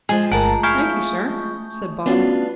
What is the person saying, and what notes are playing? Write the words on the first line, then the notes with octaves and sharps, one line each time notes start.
'Thankee sir,' said Bob.
F3 G#3 G#4
G1 A3 A#4 F#5 A5 A#5
A3 E4 F5 G#5 C#6 D#6 G6
B3 C#4 D4 F4 F#4 B4